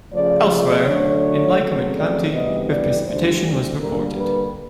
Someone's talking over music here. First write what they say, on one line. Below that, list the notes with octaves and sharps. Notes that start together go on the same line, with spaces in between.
Elsewhere, in Lycoming County, of precipitation was reported.
C#3 F3 A3 D5
D5
D3 F#3 A3 C#5
C#3 F#3 A3 C4
D5
D2 C3 E3 G3 B3 D#5
D5
D2 D3 G3 C5
D3 G3 A#3 A#4
B4